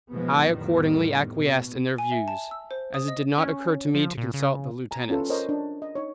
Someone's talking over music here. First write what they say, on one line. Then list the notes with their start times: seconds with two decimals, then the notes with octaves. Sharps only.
I accordingly acquiesced in their views, as it did not occur to me to consult the lieutenants.
0.11 B2 E3 F3 G#3 B3
0.46 F2 A2 D#3 F3 G3 B3
1.37 B2
1.98 G#5
2.11 E5
2.28 A5
2.51 E6
2.71 C5
2.94 D#6
3.08 D#5
3.38 C#4
3.94 F3
4.18 A#2
4.34 C#3
4.91 G#5 A#5
5.10 C#4 F4 A4 B4
5.30 A#4 C5 C#5 D#5
5.49 D4
5.82 D#5
5.95 D#4 C#5